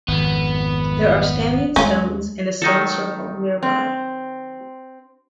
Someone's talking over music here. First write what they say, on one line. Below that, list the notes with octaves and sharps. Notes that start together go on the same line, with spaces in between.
There are standing stones and a stone circle nearby.
G#1 F2 B3
D#2 G#3 C#4 F4
D#3 F#3 D#4 A4
C4